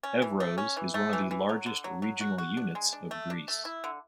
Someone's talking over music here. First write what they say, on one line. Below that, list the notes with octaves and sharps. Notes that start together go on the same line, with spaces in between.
Evros is one of the largest regional units of Greece.
C#4
E3
A3
C#4
E3
A3
E3
E3
F#3
D3
F#3
F#3
F#4
F#4
D4
G#3
D4
A3
D4
A3
E4
D3